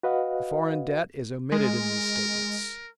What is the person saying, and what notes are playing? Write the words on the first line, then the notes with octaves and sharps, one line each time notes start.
The foreign debt is omitted in these statements.
F#4 B4 D#5 F5 F#5
G#3 A#4